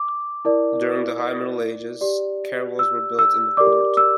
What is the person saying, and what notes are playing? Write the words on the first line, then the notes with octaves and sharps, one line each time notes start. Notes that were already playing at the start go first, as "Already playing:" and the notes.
During the High Middle Ages caravels were built in the port.
Already playing: D6
E4 A#4 D5
G4 D5
E6
E6
G4 A#4 D5 D6
E6